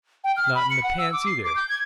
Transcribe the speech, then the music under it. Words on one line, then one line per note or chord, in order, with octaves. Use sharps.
Not in the pants, either?
G5
F6
B5
C#7
F#5
E6
D6
C7
D6
G6
G#6